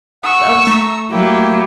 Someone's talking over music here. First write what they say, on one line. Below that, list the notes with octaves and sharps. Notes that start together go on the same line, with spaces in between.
I was
F#5 C#6 E6
A3 A#5
F#3 A#3 E4 G4 G5